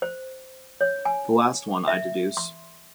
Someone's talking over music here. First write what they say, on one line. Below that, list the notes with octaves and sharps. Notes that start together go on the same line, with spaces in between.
The last one, I deduce.
C5
C#5
G#5
E5
C6